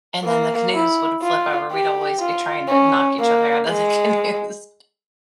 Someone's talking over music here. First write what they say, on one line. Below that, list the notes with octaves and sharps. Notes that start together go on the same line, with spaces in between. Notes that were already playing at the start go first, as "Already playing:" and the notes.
and then the canoes would flip over. We'd always be trying to knock each other out of the canoes
A#3
E4
F4
G4
F4
C#4
A#3
G#3